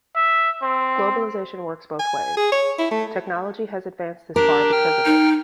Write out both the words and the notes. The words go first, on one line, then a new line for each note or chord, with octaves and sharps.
Globalization works both ways. Technology has advanced this far because of it.
E5
C4
G#5
G#4
C#5
E4
A3
D4 G4 A#4
G5 F6
D#4